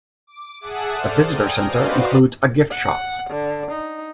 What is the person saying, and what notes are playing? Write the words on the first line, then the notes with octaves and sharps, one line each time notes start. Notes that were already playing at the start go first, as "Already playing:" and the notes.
The visitor centre includes a gift shop.
D6
G#4 E5 F#5 A5 D#6 F#6
A4 C5 D5 F6
G5 G#5 A#5 D#6 F6
F#4 B4 C5 D5 D#5 F5
F#5
D3
D#4